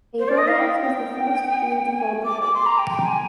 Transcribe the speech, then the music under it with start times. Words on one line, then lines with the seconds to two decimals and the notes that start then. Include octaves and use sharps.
Abrahams was the first Jew to hold the post.
0.18 C5
0.28 D5
0.37 D#5
0.47 F5
0.58 G5
0.83 G5
1.93 G#5
2.25 D6
2.41 D6
2.54 C6
2.65 A#5
2.78 G5
2.89 G5
3.05 G#5